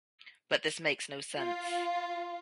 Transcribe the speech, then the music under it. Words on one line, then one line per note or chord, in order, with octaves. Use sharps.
But this makes no sense.
F4